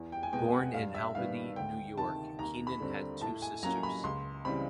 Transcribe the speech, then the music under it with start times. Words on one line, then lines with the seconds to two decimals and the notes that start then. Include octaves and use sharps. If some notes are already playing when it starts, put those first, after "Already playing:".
Born in Albany, New York, Keenan had two sisters.
Already playing: E2
0.12 G5
0.23 G#5
0.33 B2 G#3 B3 G5
0.53 F#5
0.74 G2 F5
0.95 E5
1.15 D#3 G3 B3 F5
1.56 D2 G5
1.97 C3 D#3 A5
2.39 D#2 A#5
2.67 B5
2.80 D3 G3 C4
3.21 A2 A5
3.42 G#5
3.63 F#3 A#3 C#4 A#5
3.83 B5
4.04 C#2 C6
4.45 C#3 E3 G3 C4 B5